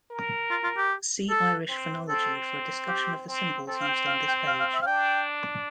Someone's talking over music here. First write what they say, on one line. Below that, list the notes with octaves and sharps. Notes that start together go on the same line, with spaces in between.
See Irish phonology for a discussion of the symbols used on this page.
A#4
F4
F4
G4
A4
C4
C4 A4
G4
C4
C4 A4
F5
G5
F5
G5
F5
F5
E5
F5
D4 G5